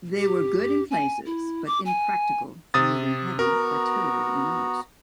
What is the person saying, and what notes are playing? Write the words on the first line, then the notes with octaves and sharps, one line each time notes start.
They were good in places but impractical for moving heavy artillery in others.
G4
G#5
E4
D6
G#5
C3 D#6 A6
B3 F#4 A#4 A#5